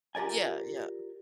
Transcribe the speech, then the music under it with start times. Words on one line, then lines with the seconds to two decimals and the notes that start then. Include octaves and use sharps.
Yeah, yeah.
0.15 F4 G4 A#4 D5 G#5